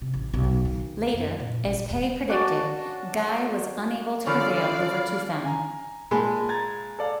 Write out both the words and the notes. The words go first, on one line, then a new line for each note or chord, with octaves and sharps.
Later, as Pei predicted, Gai was unable to prevail over Tufan.
C3
A1
B1
D#3
F#2
A#2
A1
F#3
C#4 D4 F#4 A5
D3 F3 C#4 B4 D5 F5 F6
G#5 A#5
A#2 G#3 A5 B5
A#5 G#6 A6
A4 D5 F5